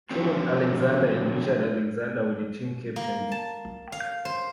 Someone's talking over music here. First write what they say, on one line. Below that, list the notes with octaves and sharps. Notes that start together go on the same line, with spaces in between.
Kenneth Alexander and Richard Alexander were the team captains.
D3 F3 F#3 C4
A#3
A5
F5
C5